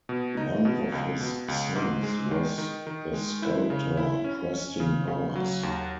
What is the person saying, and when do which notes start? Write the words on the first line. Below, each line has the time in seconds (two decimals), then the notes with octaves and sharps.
One of his sons was the sculptor Preston Powers.
0.09 B2
0.37 D#4
0.65 B2
0.92 C#2
1.20 B2
1.48 C#2
1.75 G#2
2.03 G#3
2.31 D#3
2.58 D#3
2.87 D#3
3.13 G#3
3.42 E4
3.70 C#3
3.97 E4
4.24 C#4
4.53 C#4
4.80 C#3
5.08 C#3
5.35 F#3
5.63 D#2